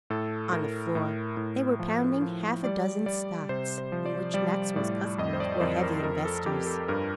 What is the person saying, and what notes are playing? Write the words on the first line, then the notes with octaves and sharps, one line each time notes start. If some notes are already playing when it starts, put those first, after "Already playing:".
On the floor they were pounding half a dozen stocks in which Maxwell's customers were heavy investors.
A2 A4
A2 A#4
A2
A2
F3
F3
G3 D5
G3 D5
C3 C5
C5
F3
D5
G3 D5
A2 D5
F2 D#5
C5
D5
A#4
F2 C5
A#4
F2 A#4
A4
F2 G4
A4
G2 A#4